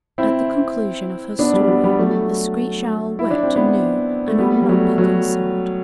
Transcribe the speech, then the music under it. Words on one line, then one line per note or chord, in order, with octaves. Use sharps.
At the conclusion of her story, the screech owl wept anew and would not be consoled.
C4 E4
B3 D4
G3
G3 B3
G3 B3
F#3 A3
E4
D4
C4
B3 D4
A3
G3 B3
G3
F#3 A3
F#3